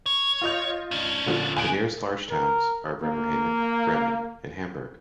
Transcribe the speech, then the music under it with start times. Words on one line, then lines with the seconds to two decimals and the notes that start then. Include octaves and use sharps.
The nearest large towns are Bremerhaven, Bremen and Hamburg.
0.06 C#5
0.42 F4 D#5 G6
0.91 C#4 D4
1.26 A#2 D3 F3
1.56 C#2 B3 G#5 D7
2.31 A#4
3.03 A#3